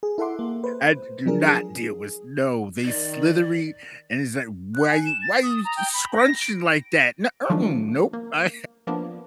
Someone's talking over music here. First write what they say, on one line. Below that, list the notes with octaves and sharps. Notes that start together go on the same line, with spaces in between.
I d do not deal with no they slithery, and it's like, "Why you why you s scrunchin' like that?" N mm-mm, nope, I
G#4
E4 A4 E5 F#5 C6 D6
A#3
B4 C5
F3 F#3 D4 G#4 A#4
G#4
D#3 D5
F#6
G#5
E7
A6
D#6
A#5
G5
B5
A#6
D7
D#3 F3 F#3 G#3 A3 D4
A#3
F3 A#3 B3 D4